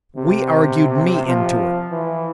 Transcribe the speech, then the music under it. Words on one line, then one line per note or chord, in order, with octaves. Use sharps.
We argued me into it.
C3
F3
E3